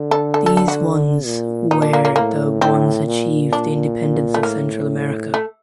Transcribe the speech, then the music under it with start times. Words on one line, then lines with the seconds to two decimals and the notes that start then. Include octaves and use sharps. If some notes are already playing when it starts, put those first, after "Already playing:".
These ones where the ones achieve the independence of Central America.
Already playing: D3
0.11 A4
0.34 A4
0.46 A4
0.57 A4
0.68 F#4
1.25 A#2
1.71 A#2 D#4
1.82 D4
1.93 A#3
2.05 A#3
2.16 A2 A#3
2.61 A2 C4
3.06 A#2
3.53 D4
4.34 A3
4.43 A2 A#3
5.34 A3